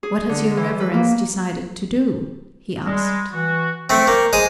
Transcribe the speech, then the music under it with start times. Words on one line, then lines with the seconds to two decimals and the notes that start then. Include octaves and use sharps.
"What has your Reverence decided to do?" he asked.
0.03 G#4
0.29 D3
0.57 E3
0.80 B4
0.94 A#3
2.85 G3 G#3
3.32 E3 F#4
3.90 A3 C4 C5 G5 C#6
4.07 A#3
4.33 G#3 C5 D#6